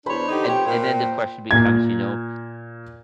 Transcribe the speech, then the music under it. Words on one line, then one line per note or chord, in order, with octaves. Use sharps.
and and then the question becomes, you know,
E2 D4 C5 C#5 B5
D3 D#4 G4
F2 G4 C5 C#5 G5
A#2
A#2 G#6